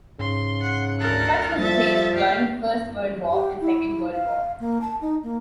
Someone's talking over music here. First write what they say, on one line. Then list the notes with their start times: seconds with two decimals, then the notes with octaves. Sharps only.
Such was the case during the First World War and Second World War.
0.20 G#2 C#3 C6
0.61 F#5
0.99 D2 A4 A#4 F#6
1.59 F3 G3 A4 E5 A6
2.13 A3 G4 F5
3.32 G4
3.60 E4
4.12 F5
4.59 A#3
4.81 A5
5.01 D#4
5.23 A#3